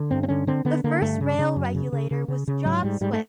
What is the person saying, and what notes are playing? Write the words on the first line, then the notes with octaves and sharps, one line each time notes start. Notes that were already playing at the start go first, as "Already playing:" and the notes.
The first Rail Regulator was John Swift.
Already playing: D3
G2 C4
C4
D3 C#4
D3 C4
D3 B3
D3 A#3
G2 A3
C#3
C#3
F#2
C#3
C#3
C#3
C#3
C#3
G#2 F#3
G#2 G3
G#2 G3
A3